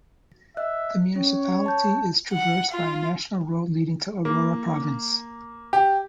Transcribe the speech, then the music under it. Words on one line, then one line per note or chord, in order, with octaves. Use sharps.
The municipality is traversed by a national road leading to Aurora province.
D#5 E5 F#6
C#4 C#5
A5 G6
F#5
F4
A#3
G4